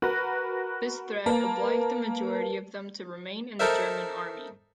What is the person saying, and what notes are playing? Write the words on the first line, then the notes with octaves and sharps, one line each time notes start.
This threat obliged the majority of them to remain in the German army.
F#4 A#4 B4 F#6 A#6
A#3 A#4 B4 A5
D#4 A4 A#4 C5 E5